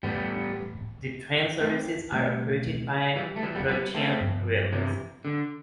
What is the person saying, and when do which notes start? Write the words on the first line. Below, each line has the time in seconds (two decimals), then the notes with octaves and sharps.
The train services are operated by Croatian railways.
0.03 A2 E3 G3 A3 B3
1.60 A3 C4
2.12 B2 G3 A3 B3 C4
3.16 E3 G3
3.36 A3
3.43 E3 G3
3.55 G3 B3
3.68 G3 B3
3.95 A3 C4
4.21 G2 F3 B3
4.72 C3 E3
5.25 D3